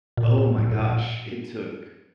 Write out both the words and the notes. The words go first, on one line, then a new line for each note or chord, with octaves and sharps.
Oh my gosh. It took
A#2
A2
A2
A2
A#2